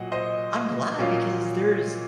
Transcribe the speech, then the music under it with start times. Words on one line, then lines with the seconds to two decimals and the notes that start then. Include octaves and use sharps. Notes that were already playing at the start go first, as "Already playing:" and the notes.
I'm glad because there's
Already playing: A#2 F#3 D#5 F#5
0.12 C5 D#5
0.98 A#2 F#3 A#3 C#4 F4